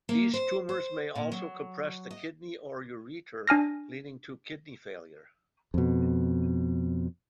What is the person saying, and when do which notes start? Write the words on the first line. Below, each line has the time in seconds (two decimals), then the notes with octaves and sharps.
These tumors may also compress the kidney or ureter leading to kidney failure.
0.09 A#3
0.34 C5
0.69 C5
1.15 A#2
1.32 F#3
2.11 D#5
3.47 D4 G#5 F6 A#6
5.74 F2 B2